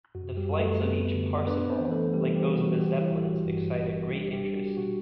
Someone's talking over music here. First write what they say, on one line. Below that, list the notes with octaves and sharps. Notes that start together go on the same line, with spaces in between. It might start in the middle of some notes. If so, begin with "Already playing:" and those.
The flights of each 'Parseval', like those of the Zeppelins, excited great interest.
F#2 F#4
G3 G4
F#2
A3 A4
B3 C4 B4
D3
B3 D4 B4
C4 C5
E3
A3 A4
E3 G3 G4
G3 G4
E3
F#4
E3 G3 G4
E4
G1
F#4
G2
G1
G3 D4 G4
G3 G4
D4
F#4
G4
B2 F#4